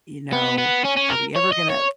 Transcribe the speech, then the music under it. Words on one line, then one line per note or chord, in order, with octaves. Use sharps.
you know, are we ever gonna"
B3
B3
C#4
C#4
A#4
C#5
D#5
C#5